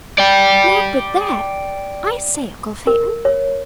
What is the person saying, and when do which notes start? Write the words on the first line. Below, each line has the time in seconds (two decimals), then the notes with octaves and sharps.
"Not but that--I say, uncle Phaeton?"
0.19 D5 G5
2.87 A#4
3.25 C#5